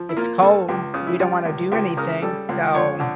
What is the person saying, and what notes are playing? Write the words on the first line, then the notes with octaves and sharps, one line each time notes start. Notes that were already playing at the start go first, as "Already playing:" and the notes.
it's cold. We don't wanna do anything. So,
Already playing: F3
E4
A#3 F4
G2 A4
C#2 G4
C#3 F4
E4
G3 F4
C#2
C#2 G4
C#3 A#4
G3 A4
C#2
F2 C#5
D3